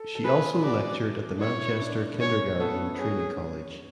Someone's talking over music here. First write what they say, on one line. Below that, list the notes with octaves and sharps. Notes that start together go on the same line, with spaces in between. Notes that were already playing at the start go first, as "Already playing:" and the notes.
She also lectured at the Manchester Kindergarten Training College.
Already playing: A4
A4
G#4 B4
F#4 D5
D4
E4 C#5
E4
D4
C#4 C#5
C#4
B3 A4
B3
C#4 G#4